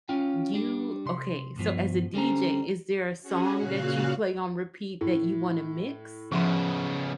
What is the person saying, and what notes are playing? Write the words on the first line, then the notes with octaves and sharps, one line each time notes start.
You okay, so as a DJ, is there a song that you play on repeat that you wanna mix?
C#4 F4 G5
G3 D4
C3 C6
B1 G2 B2 F3
D3 G3 C4 C#4 A#5
C#4 F#4 G#4
A#2 C#3 F#4 F5 F#5
A2
C#3 F3 B3 E5 C6